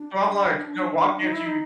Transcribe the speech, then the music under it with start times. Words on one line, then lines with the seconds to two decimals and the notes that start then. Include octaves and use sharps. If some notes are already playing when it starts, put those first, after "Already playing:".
So I'm like, you know, why can't you
Already playing: D4
1.19 D#4
1.33 E4
1.46 D#4